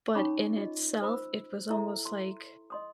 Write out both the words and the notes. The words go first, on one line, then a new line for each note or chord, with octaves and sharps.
but in itself, it was almost like
C#4 D#4 C#5 B5 C#6 D6
F4 D#5
C5 B5 E6
E4 A4 E5 A#5
C6
D#5 C6 D#6